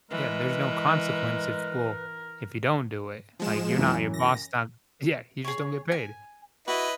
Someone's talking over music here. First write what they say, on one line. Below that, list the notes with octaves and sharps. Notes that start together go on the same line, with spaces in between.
Yeah, there's no consequence if well, if you don't do it, like, you're not your boss don yeah, you just don't get paid.
E3 G#3 A#4 B4
F3 G#3 E7
F#2 E3 C#4
A#6
G#4 C#5
G#5
E4 F#4 B4 D#5